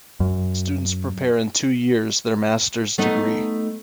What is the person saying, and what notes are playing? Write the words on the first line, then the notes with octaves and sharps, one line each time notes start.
Students prepare in two years their Master's degree.
F#2
A3 B3 D#4